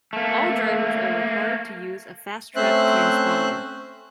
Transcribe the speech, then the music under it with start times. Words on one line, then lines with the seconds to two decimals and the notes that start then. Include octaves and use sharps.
All drivers are required to use a FasTrak transponder.
0.13 A3 A#3
2.56 A3 C4 C#4 C5 E5 F#6